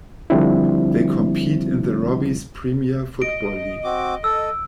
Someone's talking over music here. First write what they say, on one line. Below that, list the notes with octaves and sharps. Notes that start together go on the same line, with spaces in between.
They compete in the Robbie's Premier Football League.
D3 F3 G3 C4 D4 E4
D#5 D7
C4 F#4 D6
A4 E6